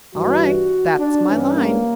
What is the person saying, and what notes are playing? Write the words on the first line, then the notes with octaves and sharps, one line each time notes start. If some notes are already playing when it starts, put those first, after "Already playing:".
"All right--that's my line."
G2 E3 G3 F#4
D4
G2 E3 G3 C#4
A#3